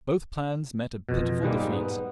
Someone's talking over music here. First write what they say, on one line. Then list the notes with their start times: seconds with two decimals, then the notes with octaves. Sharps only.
Both plans met a pitiful defeat.
1.09 F2 B2
1.43 G#2 G3 G#3 A#3
1.73 B3